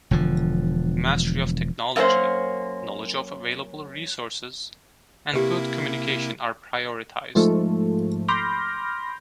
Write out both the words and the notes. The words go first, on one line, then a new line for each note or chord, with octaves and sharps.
Mastery of technology, knowledge of available resources, and good communication are prioritized.
E1 D3 F3
F#2 A#3 C#4 F4 C5
C3 A#3 E4 G4 B4
G#2 F3 A3
B5 C6 D6 F6 G6 A#6